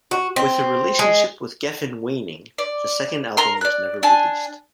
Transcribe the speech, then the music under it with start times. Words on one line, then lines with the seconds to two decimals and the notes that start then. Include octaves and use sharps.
With their relationship with Geffen waining, the second album was never released.
0.11 F#4
0.36 C4
0.99 G#3
2.58 D5
3.37 A#4 A#5 C6
3.61 D5 F#6
4.03 D4 G#5 A5